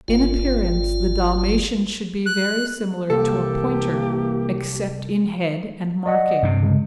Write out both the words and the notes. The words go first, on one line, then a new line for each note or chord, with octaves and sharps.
In appearance the Dalmatian should be very similar to a Pointer except in head and marking.
G1 F4
F#6
C2 E3 A#3 G4 A4
D5 D#5 F#5
G2 C3
C#3 G#3